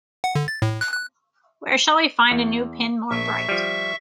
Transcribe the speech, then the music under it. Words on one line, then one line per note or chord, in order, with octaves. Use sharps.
Where shall we find a new pin more bright?
F#5
D3
A6
A2
F#6
F#6
E2
A#1 E5 C#6
F3 G3